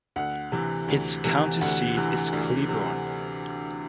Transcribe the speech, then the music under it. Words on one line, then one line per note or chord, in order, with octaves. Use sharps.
Its county seat is Cleburne.
D2 F#5
C3 E3
D2
C3 E3
D2 F#5
C3 E3
D2
C3 E3